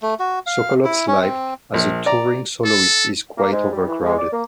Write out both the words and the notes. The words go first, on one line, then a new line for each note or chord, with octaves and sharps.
Sokolov's life as a touring soloist is quite overcrowded.
A3
F#4
F5
E4
C#4
C4
A#1
D5 A#5
A4
A#3
G#2
G3
E3
G#3
D5
A#3